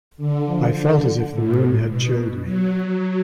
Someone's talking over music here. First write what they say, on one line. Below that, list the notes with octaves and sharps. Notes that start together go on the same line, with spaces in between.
I felt as if the room had chilled me.
D3
F3
D3
A2
G#2
B2
F#3
F#3